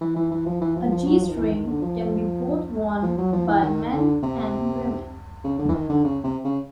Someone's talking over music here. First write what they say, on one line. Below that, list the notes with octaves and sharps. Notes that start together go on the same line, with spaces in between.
A G-string can be both worn by men and women.
E3
E3
E3
F3
E3
F3
F3
F#3
F3
D#3
E3
D#3
D3
F3
F3
F#3
F3
E3
D#3
D3
C3
C#3
D3
E3
D#3
D3
C#3
C3
C#3